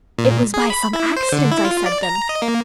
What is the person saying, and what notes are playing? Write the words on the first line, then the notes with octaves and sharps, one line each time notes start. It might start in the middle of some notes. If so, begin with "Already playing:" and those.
It was by some accident I said them....
A#2
G#4
B5
E4
C5
D3
E4
F4
D5
A#5
D#5
A#3